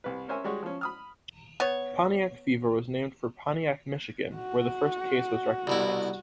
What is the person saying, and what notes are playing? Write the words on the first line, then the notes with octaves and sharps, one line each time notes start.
Pontiac fever was named for Pontiac, Michigan, where the first case was recognized.
C2 B4
C#4 A#4 C5 C#5 E5 G#5
G3 G#3 F#4 C#5
F3 C#4
B5 D#6 F6
B3 C#5
F#4
C2 B2 E4